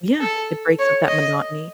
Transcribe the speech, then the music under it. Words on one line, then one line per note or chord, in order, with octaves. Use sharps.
Yeah, it breaks up that monotony.
A4
C#5
D#5